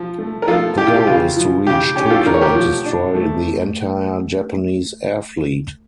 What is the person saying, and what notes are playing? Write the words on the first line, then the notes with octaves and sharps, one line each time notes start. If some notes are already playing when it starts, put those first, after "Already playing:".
The goal is to reach Tokyo and destroy the entire Japanese air fleet.
Already playing: F3
A3
A#4
F3 F4 A4
E4 G4
F4
G4
C#3 F4
F3
C#3 G4
C#4 G4
G4
F4 A4
D3 A#4
C#5
G4 A#4
F3
D4
A3